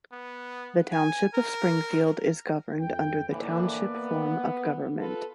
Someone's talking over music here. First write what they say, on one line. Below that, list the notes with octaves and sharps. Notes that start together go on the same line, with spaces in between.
The Township of Springfield is governed under the township form of government.
B3
G#5
A#4
F2 G5
A2 D3 E3 A#3 B4 D5
B3
F4 A4 B4